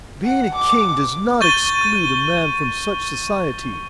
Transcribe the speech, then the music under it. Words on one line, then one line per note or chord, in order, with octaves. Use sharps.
Being a King does not exclude a man from such society.
F#5
D6
C#6 G6 A6 D#7 G7